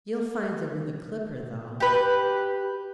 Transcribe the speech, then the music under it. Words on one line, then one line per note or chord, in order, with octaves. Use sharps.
You'll find them in the 'Clipper,' though.
G4 B4